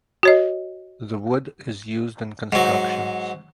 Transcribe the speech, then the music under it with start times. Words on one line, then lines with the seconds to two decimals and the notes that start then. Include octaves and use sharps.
The wood is used in constructions.
0.23 F#4 C#5 D#5
2.52 G#2 F#3